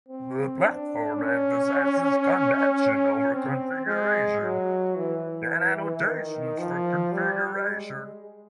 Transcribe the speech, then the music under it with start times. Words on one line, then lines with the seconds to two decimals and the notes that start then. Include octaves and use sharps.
The platform emphasizes convention over configuration and annotations for configuration.
0.09 C4
0.63 D4
1.16 C#4
3.34 C4
3.87 G#3
4.42 F#3
4.96 E3
6.04 D#3
6.59 F3
7.12 G3
7.67 G#3